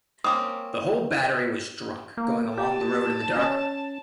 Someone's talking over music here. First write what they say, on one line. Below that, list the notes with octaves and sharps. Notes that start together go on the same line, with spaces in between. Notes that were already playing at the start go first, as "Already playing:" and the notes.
The whole battery was drunk going along the road in the dark.
A#3 C4 C#4 D6 D#6
A#3
G4 A5
C#4